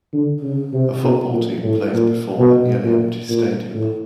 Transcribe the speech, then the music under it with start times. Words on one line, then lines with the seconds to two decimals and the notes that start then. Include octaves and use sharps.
A football team plays before a nearlyempty stadium.
0.13 D3
0.43 C#3
0.73 C3
1.03 B2
1.33 A#2
1.64 A2
1.94 A#2
2.38 B2
2.84 A#2
3.29 A#2
3.74 A2